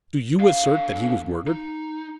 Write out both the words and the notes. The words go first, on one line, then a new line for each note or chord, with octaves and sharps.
"Do you assert that he was murdered?"
D3 F5
D#4